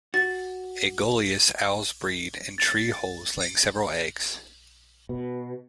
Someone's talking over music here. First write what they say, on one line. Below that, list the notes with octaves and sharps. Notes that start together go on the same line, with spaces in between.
"Aegolius" owls breed in tree holes laying several eggs.
F#4 A6
A6
B2